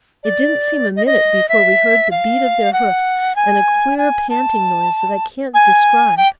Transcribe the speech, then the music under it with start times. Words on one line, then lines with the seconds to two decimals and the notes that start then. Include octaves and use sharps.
It didn't seem a minute before we heard the beat of their hoofs and a queer panting noise that I can't describe.
0.24 D5
0.96 D#5
1.07 D#5
1.49 E5
2.11 F5
2.73 F#5
3.36 G#5
3.98 G#5
4.30 A5
5.54 G#5
6.17 G5